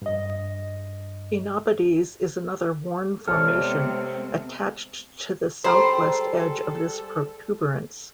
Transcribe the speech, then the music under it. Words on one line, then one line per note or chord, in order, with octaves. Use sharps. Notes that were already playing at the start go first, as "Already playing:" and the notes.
Oenopides is another worn formation attached to the southwest edge of this protuberance.
G2 D#5
C3 G#3 B3 C4 A4 C#5 D5 F6
G3 G#3 A4 C5 G5 A#5 B5